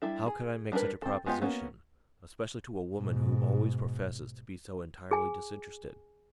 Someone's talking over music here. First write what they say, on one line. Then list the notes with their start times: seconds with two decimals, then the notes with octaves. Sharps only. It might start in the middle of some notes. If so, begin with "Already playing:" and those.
"How could I make such a proposition, especially to a woman who always professes to be so entirely disinterested?"
0.02 G3 D4 E4 A4
0.27 G#4
0.72 G3 D4 G#4 A#4 B4
1.02 C4 A4
1.26 G#3 B3 F4 G4 D#5
1.42 A#3 B3 C#4 F#4
2.96 G#2 B2
5.11 G#4 G#5